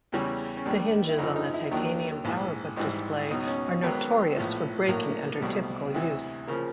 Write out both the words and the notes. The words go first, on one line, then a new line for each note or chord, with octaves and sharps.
The hinges on the Titanium PowerBook display are notorious for breaking under typical use.
E2 C#3 E3 G3 C#4
C#4
D#2 D#3 G3 D4
E4
F#2 C#3 F3 D#4
D#4
E4
D#2 D#3 F#3 D4
A#1 G#2 E3
G#1 G#2 E3 G3 D#4
C#2 B2 F#3 D#4
C#4
G#1 G#2 D#3 F#3 B3
A#1 A2 F3
A#1 A2 F#3 A#3
C2 B2 G3 A3
D2 C3 E3
C#3 F3 A#3